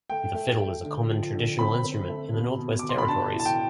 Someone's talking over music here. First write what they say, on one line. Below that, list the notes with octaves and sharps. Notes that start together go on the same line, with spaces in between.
The fiddle is a common traditional instrument in the Northwest Territories.
A3 G5
A3
A3
D3
F3
D3
C4 B5
C4
A3
B2
B2
B2 D6
C6
B5
D4 A5
A2
A5
G5